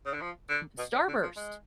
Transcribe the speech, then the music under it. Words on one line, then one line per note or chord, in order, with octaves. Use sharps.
m Starburst
C#3
D3
F3
D3
B2
C#3
D3
F3
G#3